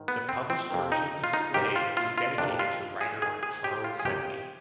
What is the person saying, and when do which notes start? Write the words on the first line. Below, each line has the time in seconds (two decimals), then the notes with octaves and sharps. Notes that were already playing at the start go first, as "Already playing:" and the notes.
The published version of the play was dedicated to the writer Charles Sedley.
Already playing: G#2 D#3
0.08 B3
0.29 C4
0.50 C4
0.71 F2 C3 D#3
0.92 D#4
1.24 F4
1.33 D#4
1.54 G#2 D#3 G4
1.76 F4
1.97 F4
2.18 F4
2.38 F2 C3 D#3 D4
2.59 F4
3.01 G#4
3.22 G#2 D#3 G#4
3.43 G#4
3.64 G4
3.84 F4
4.00 G#4
4.05 F2 C3 D#3 G4